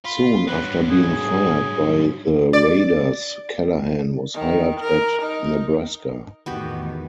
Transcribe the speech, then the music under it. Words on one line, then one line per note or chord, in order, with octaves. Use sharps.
Soon after being fired by the Raiders, Callahan was hired at Nebraska.
F4 B5
G2 F#3 B4
G#4
D5
D#3
A#4
D#4
E2 A2 D#3 B3 F#4 G4